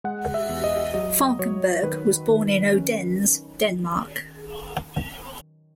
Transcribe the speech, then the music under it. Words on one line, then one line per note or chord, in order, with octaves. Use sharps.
Falkenberg was born in Odense, Denmark.
G#3 F#5
E5
E2
D#5
F#3 D#5
F#3 C#5
D#3 B4
D#3
C#4